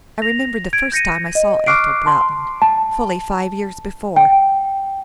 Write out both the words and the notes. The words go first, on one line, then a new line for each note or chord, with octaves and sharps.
I remembered the first time I saw Ethel Broughton, fully five years before.
A#6 F7
G#6 D7
G6 A#6 C#7 D#7
D#5
C#6 D6 F6 F#6 C7 D7
A5 C6
A5
G5